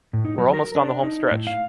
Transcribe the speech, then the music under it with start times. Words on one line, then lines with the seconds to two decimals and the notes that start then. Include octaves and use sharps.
We're almost on the home stretch.
0.13 A2
0.25 D#4
0.38 F#3
0.53 A#4
0.75 D4
1.03 D#4
1.31 A2
1.47 F5